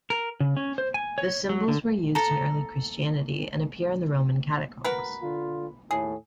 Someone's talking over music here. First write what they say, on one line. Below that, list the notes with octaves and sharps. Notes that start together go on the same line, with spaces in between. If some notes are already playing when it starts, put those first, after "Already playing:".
The symbols were used in early Christianity and appear in the Roman catacombs.
A#4
C#3
C#4
C5
G#5
C#5
F#3
D3
A4 A#5
F#4 A#4 B4
D3 F4
D#2 A2 G#4